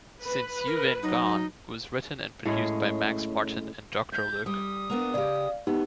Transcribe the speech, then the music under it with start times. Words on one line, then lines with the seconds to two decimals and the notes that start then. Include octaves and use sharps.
"Since U Been Gone" was written and produced by Max Martin and Doctor Luke.
0.22 B4
0.67 A#4
1.03 F#3 D#4
2.45 A2 G#3 C#4 G#4
4.12 E5 G6
4.46 G3 D#6
4.90 A#3 B3 D4
5.14 C#3 G4 D5 F5
5.67 B3 D#4 G4